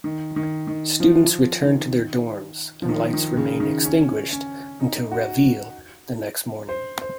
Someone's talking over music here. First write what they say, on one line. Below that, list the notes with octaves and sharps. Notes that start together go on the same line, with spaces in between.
Students return to their dorms, and lights remain extinguished until Reveille the next morning.
D#3
D#3
D#3
F3
D#3
F3
D#3
D#3
C#3
D#3
C#4
C#4
D#4
F#4
C5
C5